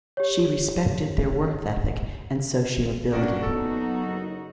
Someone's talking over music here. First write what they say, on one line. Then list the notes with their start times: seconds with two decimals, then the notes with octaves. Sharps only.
She respected their work ethic and sociability.
0.17 G4 C#5
3.12 A#2 A3 A#3 C#4 D4 F#4 D5
3.43 F#3 B3 D#4 F#4 A4
4.06 F#1